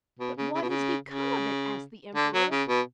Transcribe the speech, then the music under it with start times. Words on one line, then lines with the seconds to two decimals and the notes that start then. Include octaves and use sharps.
"But what is become of it?" asked the Emperor.
0.19 B2
0.37 C#3
0.55 C#3
0.62 B2
0.69 C#3
1.08 C#3
2.15 D3
2.33 F#3
2.51 C#3
2.68 B2